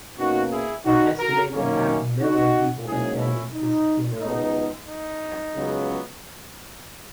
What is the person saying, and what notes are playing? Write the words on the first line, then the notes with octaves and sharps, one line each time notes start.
An estimated half a million people attended his funeral.
B2 A#3 C#4 D#4 F#4
E4 G#4
D#4 F#4
F#4 A#4
F#2 D#3 A#3 C#4
D#4 F#4
G#2 F#3 A#3 C#4 E4 G#4
C#4 E4
D#4
C#2 B2 G#3 B3 D#4
D#4
C#2 C#3 F#3 B3